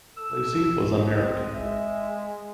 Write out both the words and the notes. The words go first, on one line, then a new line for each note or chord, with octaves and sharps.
Lacey was unmarried.
A4 E6
C4 D#5
G#3 E5